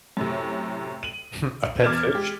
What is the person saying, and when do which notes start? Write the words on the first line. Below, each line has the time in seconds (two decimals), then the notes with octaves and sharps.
Hmm, a pet fish?
0.17 F#2 A2 C3
1.03 D#7 F#7
1.84 E2 D6 F6 G#6 A6 E7
2.14 G#3 G4